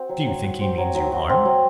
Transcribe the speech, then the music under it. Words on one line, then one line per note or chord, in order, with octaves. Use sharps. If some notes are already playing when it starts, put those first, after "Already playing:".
"Do you think he means you harm?"
Already playing: C4 F#4
F#3
F#3
F#4
C4
F#3
F#3
F#4
C4
F#3